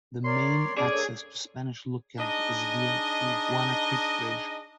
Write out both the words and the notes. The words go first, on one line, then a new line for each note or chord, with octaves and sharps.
The main access to Spanish Lookout is via the Iguana Creek Bridge.
A#4 C#5 D5 C6
D#2 G#2 G3 C#4 G#4 D5
A#3 D4 A4 C#5
D4 D#4 G#4 D#5